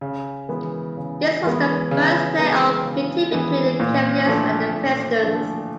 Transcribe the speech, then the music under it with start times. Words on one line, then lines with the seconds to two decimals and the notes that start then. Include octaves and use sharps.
This was the first playoff meeting between the Cavaliers and the Pistons.
0.01 C#3
0.49 E3 G#3 B3
0.97 C#3
1.43 E3 G#3 B3
1.91 C#3
2.38 E3 G#3 B3
2.85 C#3
3.32 E3 G#3 B3
3.80 A#2
4.26 F3 A3 D4
4.73 A#2
5.21 F3 A3 D4